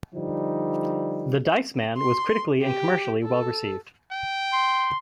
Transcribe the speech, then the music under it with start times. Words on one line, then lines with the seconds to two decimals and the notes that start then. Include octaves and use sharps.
"The Dice Man" was critically and commercially well received.
0.15 D3 F3 G3 D#4
1.97 C6
2.63 G4
3.24 A4
4.11 G5
4.53 C6